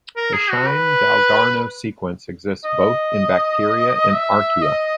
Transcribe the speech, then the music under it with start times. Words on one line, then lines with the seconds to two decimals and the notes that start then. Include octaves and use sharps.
The Shine-Dalgarno sequence exists both in bacteria and archaea.
0.17 A#4
0.34 G#4
0.50 F#4
0.67 B4
2.65 D#5
4.13 E5
4.62 D#5